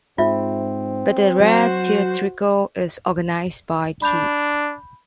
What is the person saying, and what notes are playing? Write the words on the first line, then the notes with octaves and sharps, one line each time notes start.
But "The Rare Theatrical" is organized by key.
G#2 C4 F4 E5
F#3 F#4 C5
D4 B5 G6 F7